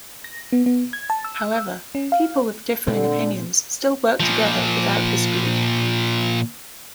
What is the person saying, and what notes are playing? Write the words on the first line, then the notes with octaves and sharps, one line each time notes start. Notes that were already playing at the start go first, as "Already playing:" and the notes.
However, people with differing opinions still work together without dispute.
A#6
B3
B3
G#6
A5
E6
C#4
F5
A#2 D3 G#3 C4
A#2 F3